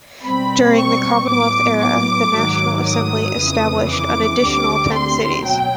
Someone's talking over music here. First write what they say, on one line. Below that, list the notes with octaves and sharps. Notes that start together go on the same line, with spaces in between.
During the Commonwealth era, the National Assembly established an additional ten cities.
B2 G3 C4 B5
C#6
A2 F#3 B3 D6
D6
G#2 D#3 F#3
D#6
F2 C#3 E3
D6
D2 D3 G3 C4
C6
B2 F#3 G5